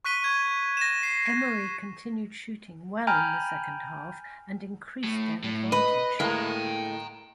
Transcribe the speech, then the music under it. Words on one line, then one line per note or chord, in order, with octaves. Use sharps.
Emory continued shooting well in the second half and increased their advantage.
C#6 F#6 B6 D#7 G7
C#6 G#6
A#6 E7
C7
G5 G#5 A#5 B5 F6 G6
A2
A2
B4 D#5
A2 G#3 A#3 G5 A#5